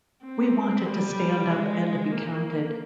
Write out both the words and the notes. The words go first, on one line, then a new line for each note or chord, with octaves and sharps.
We wanted to stand up and be counted.
C4
G3
G#3
A#3